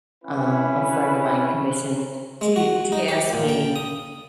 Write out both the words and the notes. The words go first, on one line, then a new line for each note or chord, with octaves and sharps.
Um, a friend of mine commissioned she she asked me
C#4 E4 B4
G#3
F#4
D#4
G4
A#2
G5
D#6